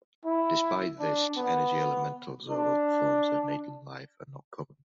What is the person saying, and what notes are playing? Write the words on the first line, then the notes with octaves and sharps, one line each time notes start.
Despite this, energy elementals or other forms of native life are not common.
E4
D4
B3
D4